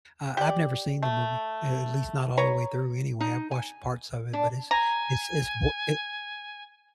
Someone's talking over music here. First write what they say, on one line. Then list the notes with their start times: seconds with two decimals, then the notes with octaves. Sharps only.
I I've never seen the movie, a at least not all the way through anyway, I've watched parts of it, but it's it's it's bo it
0.37 G4 D5
1.03 A3
2.37 B4 C#5 A#5
3.20 D#4
3.51 G#5
4.33 D4
4.71 G#5 A#5